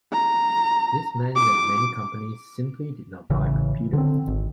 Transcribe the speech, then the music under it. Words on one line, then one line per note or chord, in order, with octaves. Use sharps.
This meant that many companies simply did not buy computers.
A#5
D6
A1 C#3 E3
D3 C4
G#1